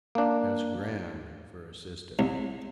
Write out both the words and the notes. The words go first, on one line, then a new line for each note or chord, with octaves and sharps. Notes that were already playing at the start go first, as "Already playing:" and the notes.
He has Gran for assistant.
A#3 D4
C2